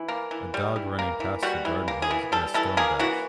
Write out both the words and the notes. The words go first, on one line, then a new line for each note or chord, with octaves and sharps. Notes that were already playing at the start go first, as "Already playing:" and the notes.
A dog running past a garden hose and a stone bench.
Already playing: E3
A#3
E3
G3
E3
A#3
E3
G3 F#4
E3
A#3
G#4
E3
G3 A4
E3 A4
A#3 G#4
E3 F#4